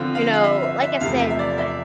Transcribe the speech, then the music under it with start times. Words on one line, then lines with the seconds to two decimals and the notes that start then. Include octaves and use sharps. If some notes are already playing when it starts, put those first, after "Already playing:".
you know, like I said, uh,
Already playing: D3 F3 C4 F5
0.15 F5
0.33 F5
0.44 E5
0.63 E5
0.82 E5
1.01 E2 C3 F3 A3 F5
1.20 E5
1.30 E5
1.39 D5
1.58 E5